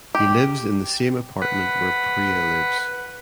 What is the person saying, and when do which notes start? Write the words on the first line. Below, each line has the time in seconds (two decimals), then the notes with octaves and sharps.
He lives in the same apartment where Priya lives.
0.15 G4
1.42 B4 F#5